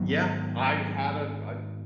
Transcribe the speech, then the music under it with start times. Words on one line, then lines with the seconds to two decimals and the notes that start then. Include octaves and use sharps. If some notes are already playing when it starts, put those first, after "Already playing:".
Yeah, I had a I d
Already playing: G#2 D#3 F#3 B3